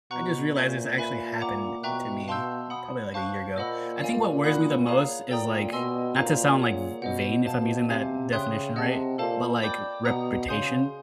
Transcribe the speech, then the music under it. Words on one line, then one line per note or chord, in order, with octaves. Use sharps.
I just realized this actually happened to me probably, like, a year ago. I think what worries me the most is, like- not to sound, like, v vain, if I'm using that definition right- but, like r reputation.
B2 F#5 A#5 C#6 F#6
A#2 C5 E5 G#5
A#2 B4 E5 G#5 B5
F#5 A#5 D6
B2 E5 G5 A#5 C#6 F#6
B2 F5 A5 C6 E6 G6
F#5 B5 D#6
C5 F5 A5 C#6 F#6
A#2 C5 D#5 F#5 B5 E6
D5 F5 G#5
F#5 B5 D#6 F#6
G#4 C#5 F5 A#5 D#6
A#2 A4 D5 G5 A#5 D#6
B2 D#5 G#5 C6 E6
A#2 C5 F5 A#5
G#4 C#5 F#5
B2 C5 D#5 F#5
B2 C5 F5 A5
C3 C5 F5 G#5
C#3 E5 G5 C6 D#6 F#6
C3 D#5 F#5 A5
A#2 A4 C5 F5 A5
D5 G5 B5 D6 G6
B2 F#5 A#5 D#6
C#3 F5 G#5 C6 D#6 G6